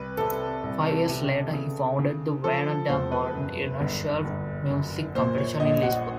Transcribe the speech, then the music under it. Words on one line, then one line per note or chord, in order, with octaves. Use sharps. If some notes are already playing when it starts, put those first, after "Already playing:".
Five years later, he founded the Vianna da Motta International Music Competition in Lisbon.
Already playing: C2 B4
C3 A4
C2
C3
C#3
C#3
F3 A4
E1 C5
B4
F#2
G1
G1
F#2
A#2 C5
C#5
A#1 D#5
F#5